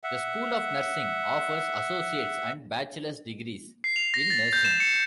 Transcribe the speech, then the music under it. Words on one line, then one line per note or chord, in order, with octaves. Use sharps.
The School of Nursing offers associates and bachelor's degrees in nursing.
E5 F#5
C7
F7
A#6
A6
G6
E7
C#7